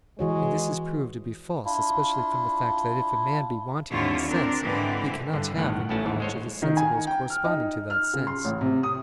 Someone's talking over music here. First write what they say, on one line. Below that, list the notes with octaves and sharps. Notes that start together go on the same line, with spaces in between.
And this is proved to be false especially from the fact that if a man be wanting in a sense, he cannot have any knowledge of the sensibles corresponding to that sense.
E3 G#3 F#4 C#5
D4 E4 F4
D#2 D3 C4 E4 F4 C#5
C4 D4 A#4
G#2 D3 E3 C4
G2 D3
G1 A2 D#3 B3 F#5
A1 A2 A3 C#4 F#4 A5
D#2 G#2 E3
G#3 C5 C#5
D#3
G#5
G5
F6
D#4
F6
C#3
C6
A1
C3
D#6